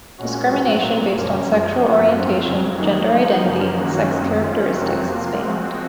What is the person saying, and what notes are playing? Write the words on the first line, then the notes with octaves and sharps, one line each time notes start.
Discrimination based on sexual orientation, gender identity and sex characteristics is banned.
A#2 G#3 C#4 F#4
G#2 F#3 C4 F#4
A#2 F#3 A#3
F#2 C#3 F3 A#3 C#4
F#2 F3 G#3
F#2 F3 A#3 C#4 F#4
G#2 F#3 C4 F4
F2 C#3 F#3
D#3 F#3 A#3 D#4
F3 G#3 D#4
F#2 C#3 F3 A#3
F#2 D#3 A#3 C#4 F#4
F#2 D#3 G#3 C4
D#3 G#3 C#4 F4
F2 C3 F#3 C4 F#4
F3 A#3 F4
F3 G#3 C4 F#4